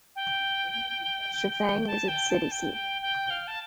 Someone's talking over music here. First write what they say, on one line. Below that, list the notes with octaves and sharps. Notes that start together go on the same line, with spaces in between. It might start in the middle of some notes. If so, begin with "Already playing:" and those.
Shifang is its city seat.
G5
A5
G5
A5
G5
G5
G5
F5
A5